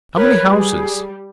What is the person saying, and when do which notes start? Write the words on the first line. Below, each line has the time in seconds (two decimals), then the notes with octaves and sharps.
How many houses?
0.16 A#4 B4 C#5
0.48 G3 G#4